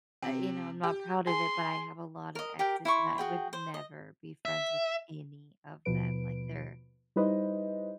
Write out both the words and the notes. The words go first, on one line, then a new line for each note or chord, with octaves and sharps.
I you know, I'm not proud of it, but I have a lot of exes, and I would never be friends with any of them, like, they're
C3 C4
G4
G#4 C6
A#4 D#5
G4 A#4 G5
E4 C6 C#6
F#4 G#4 G5
C5
D#5
E5
D#2 B2 F3 B4 D7
G3 D#4 E4 B4 C5 D#5